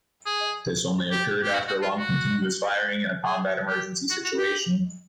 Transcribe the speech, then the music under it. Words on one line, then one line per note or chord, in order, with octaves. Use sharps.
This only occurred after long continuous firing in a combat emergency situation.
G#4
G4
G4
F#4
F#4
F4
F#4
G#4
G4
F#4
F#4
G4